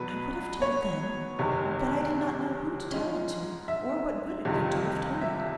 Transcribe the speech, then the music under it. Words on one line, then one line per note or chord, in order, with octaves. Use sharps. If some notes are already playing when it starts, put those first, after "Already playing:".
I would have told then, but I did not know who to tell it to, or what good it could do if told.
Already playing: E2 B2 F#3 B4
C#5
F#1 E2 C3 D#3
G#2 F3 G#3 C#4
E5
G1 F2 C3 D#3 G3
E5